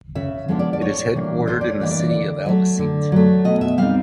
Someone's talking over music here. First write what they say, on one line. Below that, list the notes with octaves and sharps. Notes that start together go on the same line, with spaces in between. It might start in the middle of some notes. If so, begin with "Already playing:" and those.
It is headquartered in the city of Albacete.
C#3 E5
F3 G#3 B3 D4
D5
D5
A2 C#5
E3 G3 A#3 D4
A2 C5
D5
C#5
E3 G3 A#3 D4 D#5
D5
D3
F#3 A3
D3
F#3 A3
B2 D#5
E5
G3 C4 D#4 F5